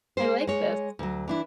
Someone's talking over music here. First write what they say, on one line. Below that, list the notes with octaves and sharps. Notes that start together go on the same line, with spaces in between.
I like this.
G#3 C5
G#3 C#5
D2 F#3
E3 D4 E4